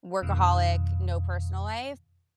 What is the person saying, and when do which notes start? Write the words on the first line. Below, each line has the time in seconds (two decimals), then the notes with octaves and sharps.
workaholic, no personal life?"
0.22 F2 B2 D#3